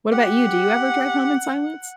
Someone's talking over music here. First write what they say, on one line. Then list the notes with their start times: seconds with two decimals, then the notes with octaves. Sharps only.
What about you? Do you ever drive home in silence?
0.11 G4 F#5